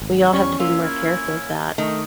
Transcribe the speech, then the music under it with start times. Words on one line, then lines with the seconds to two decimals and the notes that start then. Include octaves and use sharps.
We all have to be more careful of that.
0.02 G#1
0.33 E2 F3 G3 C#4 C#6
0.60 A#3 F4 E5
0.82 E4
1.78 D#3 A3